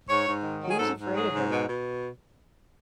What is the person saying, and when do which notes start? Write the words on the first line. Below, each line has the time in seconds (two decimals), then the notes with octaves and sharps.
He was afraid of her.
0.08 G#2 C#5
0.26 G#2
0.43 D#3
0.61 F#3
0.68 G#4
0.78 G#2 A4
0.96 G#2
1.14 F#3 G#4
1.31 G#2
1.49 B2
1.67 B2